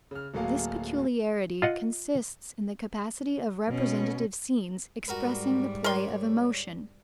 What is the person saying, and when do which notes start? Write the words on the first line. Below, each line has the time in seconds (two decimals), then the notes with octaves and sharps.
This peculiarity consists in the capacity of representative scenes expressing the play of emotion.
0.11 C#3 F6
0.34 D1 F#3 A3 A#3 G#4 F5
1.62 F4 D#5 F#5
3.68 B2 C#4
5.08 G#2 G3 F#4 A#4 B4
5.84 A#4 B4 C#5 C6